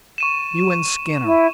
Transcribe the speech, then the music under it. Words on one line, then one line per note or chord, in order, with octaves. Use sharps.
"You and Skinner."
C#6 D#7 E7
E4